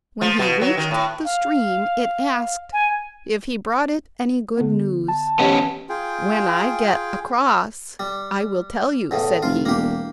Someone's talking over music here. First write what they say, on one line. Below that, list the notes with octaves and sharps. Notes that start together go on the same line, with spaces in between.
When he reached the stream it asked if he brought it any good news. 'When I get across I will tell you,' said he.
F3
B2
F#3
D#3
A2
F5
G#5
D3 B3
A5
E3 B3 C#4 G4 D#5
F4 G#4 G5
G3
E2 A2 C#3
F1 F4
E1 A#3 G4